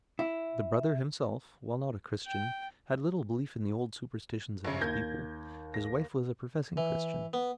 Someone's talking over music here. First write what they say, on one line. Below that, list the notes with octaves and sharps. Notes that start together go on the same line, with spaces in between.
The brother himself, while not a Christian, had little belief in the old superstitions of his people; his wife was a professing Christian.
E4
G5
A#1 C#3
D#2 G6 G#6 A#6
A#6
E3
B3